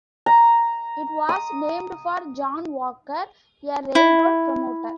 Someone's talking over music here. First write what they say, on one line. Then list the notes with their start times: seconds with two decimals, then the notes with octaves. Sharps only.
It was named for John Walker, a railroad promoter.
0.26 A#5
1.29 D#6
3.95 E4